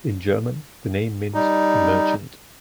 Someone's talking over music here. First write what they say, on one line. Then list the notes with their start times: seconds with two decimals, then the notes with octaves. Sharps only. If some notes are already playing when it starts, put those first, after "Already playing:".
In German, the name means "merchant".
1.34 G3 D#4